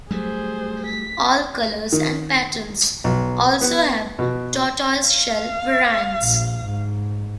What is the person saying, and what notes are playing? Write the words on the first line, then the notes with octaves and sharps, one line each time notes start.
All colours and patterns also have tortoiseshell variants.
F#3 G3 A3 G#4 C5
B6
D#3
B1
B3
B2
F5
A#1
G#2